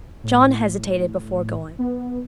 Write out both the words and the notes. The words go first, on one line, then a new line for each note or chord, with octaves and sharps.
John hesitated before going.
A2
B3